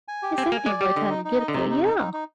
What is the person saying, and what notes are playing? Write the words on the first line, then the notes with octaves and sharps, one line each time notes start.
It's empty by time you get up there. Yeah.
G#5
G4
C4 G#5
A#3 G#5
G#3 D5
G3 G4
D3 D#5
D#4
D#4
D#5
D3
C3 D#4
D#4
D#4
D#4
D#4